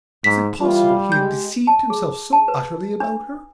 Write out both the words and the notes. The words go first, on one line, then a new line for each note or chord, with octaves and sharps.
Was it possible he had deceived himself so utterly about her?
G#2 B6
E3 G3 E4 F4
G#3 G4 G6
A5
G#4
A5
B4
D4